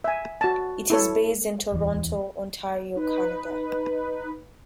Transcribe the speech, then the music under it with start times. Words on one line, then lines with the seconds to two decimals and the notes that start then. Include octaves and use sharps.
It is based in Toronto, Ontario, Canada.
0.04 E5 G#5
0.41 F#4 A5
0.90 E4 A4 C#5
1.72 D1 E2 E3
2.96 D#4 B4